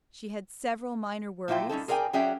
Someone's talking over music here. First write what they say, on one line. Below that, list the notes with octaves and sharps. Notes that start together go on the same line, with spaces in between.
She had several minor worries.
A#2 F#3 E4 F4 G5
G3 C#4 D#4 A4
G#4 A#4 D5 E5 G5 G#5
F#3 C#4 G#4 D5 E5 G5